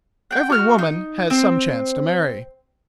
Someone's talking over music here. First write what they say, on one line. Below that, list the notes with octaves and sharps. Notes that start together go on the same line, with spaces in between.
Every woman has some chance to marry.
F#5 G5
F#4 F6
D#4
C4